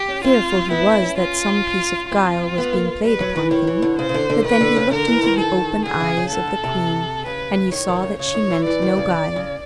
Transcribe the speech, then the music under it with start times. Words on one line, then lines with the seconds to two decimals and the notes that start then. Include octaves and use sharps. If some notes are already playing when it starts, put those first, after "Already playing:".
Fearful he was that some piece of guile was being played upon him, but then he looked into the open eyes of the queen and he saw that she meant no guile.
Already playing: G4
0.08 C#4
0.24 C4 F4
0.71 B3 E4
0.86 C4
1.02 C#4
1.17 F4
2.11 C4 F4
2.58 B3
2.73 A#3
3.04 G3 B4
3.20 F#3
3.36 E3
3.51 D#3 C#5
3.67 E3
3.82 D3
3.99 C#3 C5
4.09 C#3
4.14 D3
4.30 D3
4.44 D#3 B4
4.61 D3
4.76 C#3
4.91 D3 A#4
5.07 E3
5.23 D#3
5.38 A4
5.85 D3 G#4
6.00 C#3
6.17 C#3
6.31 D3 A4
6.47 C#3
6.64 C3
7.25 C#3 B4
7.72 D#3 C#5
7.88 D#3
8.03 C#3
8.19 C#3 C#5
8.34 D#3
8.50 E3
8.66 E3 D5
8.82 D#3
8.97 C#3
9.36 C#3